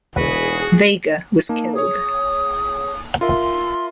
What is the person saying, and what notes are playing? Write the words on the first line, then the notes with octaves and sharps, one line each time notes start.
Vega was killed.
E1 F#4 G#4 B4
A#3 D#4 A5
G#4 C#5 D#6
F4 A#4 E5 C6